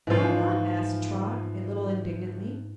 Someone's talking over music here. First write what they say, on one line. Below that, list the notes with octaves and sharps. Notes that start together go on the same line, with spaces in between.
"Why not?" asked Trot, a little indignantly.
G#2 E3 F3 F4